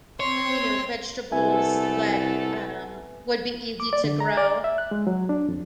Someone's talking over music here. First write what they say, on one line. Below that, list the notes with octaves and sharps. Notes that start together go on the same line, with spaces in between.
you know, vegetables that, um, would be easy to grow,
C4 C#5 C6
C2 A3 B3 A4 B4 E5 G#5
D6
D5
D3
A#5
D5
E5
F#6
G#3
F#3
D4
F2